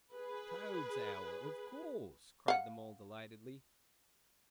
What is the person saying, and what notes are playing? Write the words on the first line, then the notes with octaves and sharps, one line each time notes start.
'Toad's hour, of course!' cried the Mole delightedly.
G#4 B4
F5 F#5